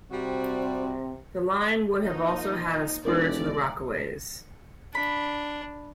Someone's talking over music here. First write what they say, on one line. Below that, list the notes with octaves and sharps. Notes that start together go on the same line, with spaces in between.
The line would have also had a spur to the Rockaways.
C3 G3 C4 F#4
F3 A#3 D#4
E1 A3 D#4 F4 A#4 D5
D4 B5